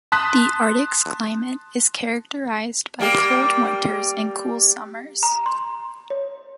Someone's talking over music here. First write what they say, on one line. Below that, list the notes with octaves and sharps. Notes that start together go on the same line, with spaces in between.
The Arctic's climate is characterized by cold winters and cool summers.
A5 C6 D#6 F#6 B6
G3 A#3 G4
A#5
C6
C#5